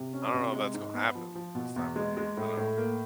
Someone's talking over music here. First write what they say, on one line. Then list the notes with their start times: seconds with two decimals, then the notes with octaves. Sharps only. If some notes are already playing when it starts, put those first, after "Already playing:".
I don't know if that's gonna happen this time around. I don't know.
Already playing: C3
0.13 C#4
0.34 C3
0.53 G#3
0.74 G#2
0.94 B3
1.15 F3
1.35 F3
1.55 B2
1.76 E2
1.96 G#3
2.17 G#3
2.37 A2
2.57 A2
2.78 A#3